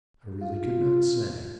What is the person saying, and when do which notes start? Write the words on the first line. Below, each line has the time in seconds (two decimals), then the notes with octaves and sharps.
I really could not say?'
0.41 F4